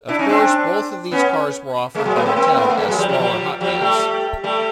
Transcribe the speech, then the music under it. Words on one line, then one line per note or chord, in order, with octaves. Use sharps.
Of course, both of these cars were offered by Mattel as smaller Hot Wheels.
D4 E4
C#4 D#4
C4 D4
B3 C#4
G#3 A#3
F#3 G#3
A3 B3
A#3 C4
A#3 C4
C4
A3 B3
A3
G#3 A#3
F#3 G#3
F3 G3
F3 G3
F3 G3
F3 G3
G3 A3
G3 A3